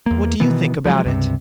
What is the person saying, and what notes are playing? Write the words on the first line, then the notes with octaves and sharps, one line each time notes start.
"What do you think about it?"
E2 A#3
B2 D#3 E3 B3
F3 F#3 G#3
C#2 G2 C3